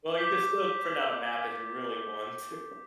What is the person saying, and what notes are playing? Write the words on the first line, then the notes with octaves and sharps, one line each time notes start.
Well, you could still print out a map if you really want to.
D6 G6 B6